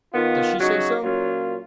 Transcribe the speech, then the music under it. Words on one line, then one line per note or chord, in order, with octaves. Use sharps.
'Does she say so?
D#3 B3 F4
C#3 F#3 D#4 F#4
A#2 F#3 C#4 F4